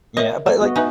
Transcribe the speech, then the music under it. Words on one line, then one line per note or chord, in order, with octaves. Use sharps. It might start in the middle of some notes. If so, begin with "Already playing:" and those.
Yeah, but like
A#4 C#5 D#5 E5
A3
B3 F#4 D#5
D#4 B4 E5 G#5